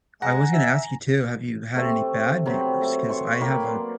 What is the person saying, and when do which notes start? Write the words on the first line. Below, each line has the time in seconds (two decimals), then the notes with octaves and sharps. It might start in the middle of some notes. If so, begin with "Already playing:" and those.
I was gonna ask you too, have you had any bad neighbors? 'Cause I have a
0.22 G#3 F#5 G#5 A#5 A#6
0.53 E5
1.75 C3 A3
2.46 C3 F#3 B4
2.81 A3
3.09 C#5 A5 C6 C#6
3.40 A#3 B4 C#5 G5
3.63 F#3 C5 D5